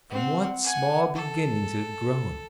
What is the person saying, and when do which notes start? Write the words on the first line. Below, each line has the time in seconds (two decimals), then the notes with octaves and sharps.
From what small beginnings it had grown!
0.10 C4 F#5
0.64 F#5 G#5
1.15 A4